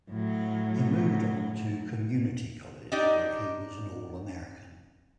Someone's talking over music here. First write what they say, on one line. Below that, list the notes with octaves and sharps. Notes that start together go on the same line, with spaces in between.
He moved on to community college, where he was an All-American.
A2 F#3
D4 D#4 G4 D5 D#5